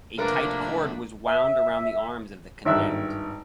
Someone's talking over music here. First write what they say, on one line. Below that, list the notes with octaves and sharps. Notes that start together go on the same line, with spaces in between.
A tight cord was wound around the arms of the condemned.
F3 A3 A#3 D4 A#4 B4 D5 B5
E5
G#1 G2 E5 E6 F#6